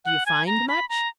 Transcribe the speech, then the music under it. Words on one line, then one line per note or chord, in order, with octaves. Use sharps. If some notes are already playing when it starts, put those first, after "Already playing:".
"Do you find much?"
F#5
G#5
A#5
B5
A#5